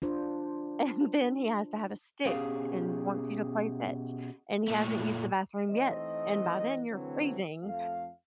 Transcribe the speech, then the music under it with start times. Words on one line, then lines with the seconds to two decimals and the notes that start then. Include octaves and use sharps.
and then he has to have a stick and wants you to play fetch, and he hasn't used the bathroom yet, and by then, you're freezing.
0.02 D4 F4 C5
2.26 B2 C#4 G4 G#4 F5
4.68 A#2 A3
5.70 E3 A3 C4 D#4 D#5
6.91 D3 E3 F#3 A3 C4
7.63 F2 A3 F5